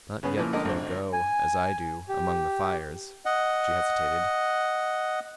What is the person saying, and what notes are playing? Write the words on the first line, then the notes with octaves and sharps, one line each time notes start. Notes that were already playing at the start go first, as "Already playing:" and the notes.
"Not yet can you go as I do--among the fires." She hesitated.
C#3 B3 C#4 G#4
A#2 C#3 E3 F3
C#2 D3 A3 A#4 D#5 F6
G#1 D3 C5
G#5
G4
D#5 F#5